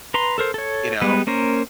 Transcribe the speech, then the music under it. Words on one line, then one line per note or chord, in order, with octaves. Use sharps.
You know
B4 A#5 C6
A4 A#4 C5
A4 C#5
G3 G#3 B3 B4
A#3 C#4 A#4 C5